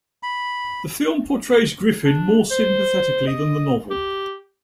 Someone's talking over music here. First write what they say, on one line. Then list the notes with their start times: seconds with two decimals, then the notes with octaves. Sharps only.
The film portrays Griffin more sympathetically than the novel.
0.23 B5
2.05 D4
2.51 C5
3.27 D#5
3.91 G4